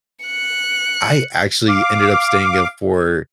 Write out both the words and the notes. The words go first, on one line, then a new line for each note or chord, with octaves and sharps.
I actually ended up staying up for
F#6 C#7
F5 D6